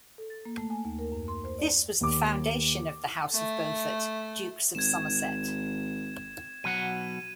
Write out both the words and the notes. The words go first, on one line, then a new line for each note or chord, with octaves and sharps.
This was the foundation of the House of Beaufort, Dukes of Somerset.
A4
A6
A#3
A3
G#5
D#2
A#4
F#2
C6
C5
D5
D#2 D6
A3
G#1 G#6 E7
B2 F#3 F#5 D#7